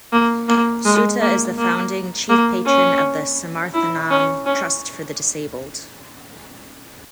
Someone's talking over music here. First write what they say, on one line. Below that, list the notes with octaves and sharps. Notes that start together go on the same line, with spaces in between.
Soota is the founding chief patron of the Samarthanam Trust for the Disabled.
A#3
A#3
G#3
A#3
A#3
A#3
C#4
E4
C#4
C#4